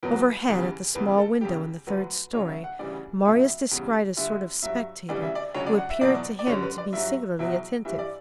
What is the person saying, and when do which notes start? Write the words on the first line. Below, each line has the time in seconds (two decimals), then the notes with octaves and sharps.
Overhead, at the small window in the third story Marius descried a sort of spectator who appeared to him to be singularly attentive.
0.03 E2 B2 F#3 B4
0.48 E2 C#3 E3 G3
0.95 E2 C#3 G3 B4
1.18 A4
1.41 E2 C#3 G3 G4
1.87 D2 D3 F#3 B4
2.33 D2 C#3 F#3 C#5
2.48 E5
2.64 F#5
2.79 D2 C#3 E3 G3 D5
3.25 C#2 B2 F#3 E5
3.71 E2 C#3 G3
4.17 D2 D3 G3 E5
4.63 G2 F#3 E5
5.09 D2 C#3 E3 G3 D5
5.22 E5
5.35 D5
5.54 D2 C#3 F#3 C#5
5.66 D5
5.78 F#5
5.90 E5
6.01 E2 B2 F#3 D5
6.39 D5
6.47 F#2 D3 G3 C#5
6.62 B4
6.78 D5
6.93 G2 F#3 E5
7.39 E2 B2 F#3 E5
7.85 G2 E3 G3 E5
7.99 D5